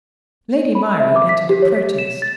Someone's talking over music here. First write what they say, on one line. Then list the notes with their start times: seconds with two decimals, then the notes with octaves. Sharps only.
Lady Myrie entered a protest.
0.75 B5
1.00 E5
1.16 D6
1.29 B6
1.49 G4
1.62 C#5
1.75 B6
1.98 E7
2.22 A6